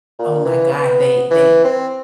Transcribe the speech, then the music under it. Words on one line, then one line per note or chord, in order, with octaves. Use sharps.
oh my god, they they
A#2
E3
B3
E3
C4